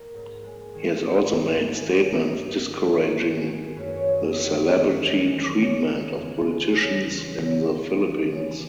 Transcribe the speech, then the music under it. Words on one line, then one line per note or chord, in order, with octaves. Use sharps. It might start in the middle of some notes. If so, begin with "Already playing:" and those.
He has also made statements discouraging the "celebrity treatment" of politicians in the Philippines.
Already playing: A#3 A#4
G#2
G#3
D#3 G#4
G#2
G#2 A#4
G#4
B3
G#4
F#3 A#4
G#2
G#2
F#3
D#3 F#4
G#4
A#3
F#2 B4
C#5
F#3
D#5
D#3 E5
C#5
A#3 D#5
E5
E2
G#3
C#3 D#5
E2
E2
G#3
C#3
E2
C#3 F#5
B3
E3
C#3